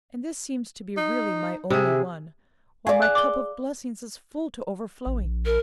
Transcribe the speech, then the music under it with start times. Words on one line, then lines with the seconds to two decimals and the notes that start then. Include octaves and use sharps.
And this seems to be really my only one, while my cup of blessings is full to overflowing.
0.97 D#4
1.70 C3 G#4 E5
2.87 G#4 D5 F5
3.02 F#6
3.15 D6 G7
5.06 A1
5.24 A#1
5.46 A#4